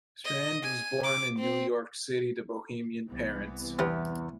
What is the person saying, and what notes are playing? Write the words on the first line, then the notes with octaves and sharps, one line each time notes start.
Strand was born in New York City to Bohemian parents.
D#5
G#5
D6
C4
C2 E3 B3
E2 C4 G4 B4